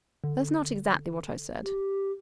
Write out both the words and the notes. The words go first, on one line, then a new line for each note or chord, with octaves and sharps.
"That's not exactly what I said."
D3
G4